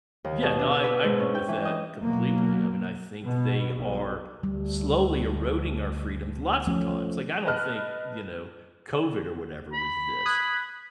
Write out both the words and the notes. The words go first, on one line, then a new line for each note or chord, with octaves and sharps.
Yeah. No. I I agree with that completely. I mean, I think they are slowly eroding our freedoms, lots of times. Like, I don't think, you know, COVID or whatever was this.
D#2
B2
D4
E6
B4
G#2
C#4
G5
E3
D#5
B2 F#3 A#3
B2
B1
D2 G3
F3 A3 C#4
B4 D#5 A5 F6 F#6
B5
D#6 F#6 G#6